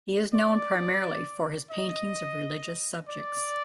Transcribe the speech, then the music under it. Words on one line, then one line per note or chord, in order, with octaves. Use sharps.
He is known primarily for his paintings of religious subjects.
D5
D#5
D5